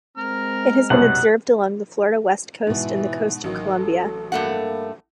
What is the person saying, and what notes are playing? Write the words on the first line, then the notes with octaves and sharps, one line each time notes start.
It has been observed along the Florida west coast and the coast of Colombia.
G#3 C4 A#5 F6
C2 F#2 B2 F#5
G#2 B2 E3
A1 D#3 F#3
A4
G2 A3 A#3 F#5